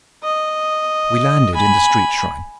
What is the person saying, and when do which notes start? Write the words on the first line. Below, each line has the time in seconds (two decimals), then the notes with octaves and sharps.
We landed in the street-shrine.
0.24 D#5
1.55 G#5 B5